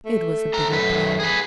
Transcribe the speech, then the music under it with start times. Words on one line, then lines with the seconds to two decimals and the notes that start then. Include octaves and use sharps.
It was a bitter blow.
0.05 A3
0.54 A4 A#5
0.72 F#2 B4
1.20 G#4 B4